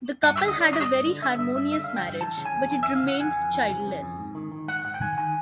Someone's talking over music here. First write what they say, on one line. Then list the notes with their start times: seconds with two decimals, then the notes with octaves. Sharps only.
The couple had a very harmonious marriage, but it remained childless.
0.23 G2 F#5
0.36 E5
0.40 D3
0.48 D#5
0.56 D3 D5
0.73 G2 D#5
0.89 G2
1.06 D3
1.22 D3 E5
1.39 G2 E5
1.55 G2 E5
1.72 D3 E5
1.84 F5
1.88 D3
1.96 G5
2.04 G2
2.21 E3 A5
2.37 C#3
2.45 G#5
2.54 F2
2.71 F2 G#5
2.83 E5
2.87 E3
2.95 F5
3.03 C#3 F#5
3.20 F2 G#5
3.36 F2
3.53 E3
3.69 C#3
3.86 F2
4.02 F2
4.19 G#2
4.35 D#3
4.52 D#3
4.68 G#2 F#5
4.84 G#2 F#5
4.94 G5
5.01 D#3 G#5
5.18 D#3 G#5